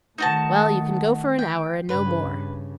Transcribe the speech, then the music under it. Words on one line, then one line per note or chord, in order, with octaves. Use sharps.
Well, you can go for an hour, and no more.
D#3 A3 D#4 F#4 A5
G5
G2 C#3 B4